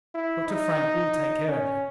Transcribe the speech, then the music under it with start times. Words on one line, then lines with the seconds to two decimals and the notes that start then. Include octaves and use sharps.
Dr. Frank will take care of you.
0.15 E4
0.48 D#4
1.48 C#4